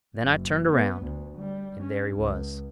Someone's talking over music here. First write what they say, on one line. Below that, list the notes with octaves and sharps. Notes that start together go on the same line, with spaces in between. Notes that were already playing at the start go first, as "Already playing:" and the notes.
Then I turned around and there he was.
F#1
B3
D2
G3
C#4
C#2